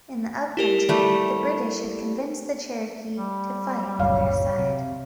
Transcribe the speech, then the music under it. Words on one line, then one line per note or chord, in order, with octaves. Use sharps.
In the Upcountry, the British had convinced the Cherokee to fight on their side.
E4 G4 A#4
G3 A3
G3
F#1 C2 C#5 F5
C3